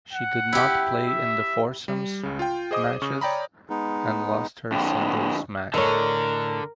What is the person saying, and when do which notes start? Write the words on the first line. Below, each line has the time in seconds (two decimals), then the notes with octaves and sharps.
She did not play in the foursomes matches and lost her singles match.
0.13 F#5
0.53 E4 G4
1.07 E5
1.88 G3
2.23 C#2 C#3
2.39 F4 G5
2.71 G#4 C5 D#5 D6 D#6
3.02 C#3 C#6 F6
3.21 C#5 D5 G5 A#5 B5
3.70 G#3 B3 D#4
4.72 F2 D3
5.74 A2 D3 A4 A#4 C#5 D#5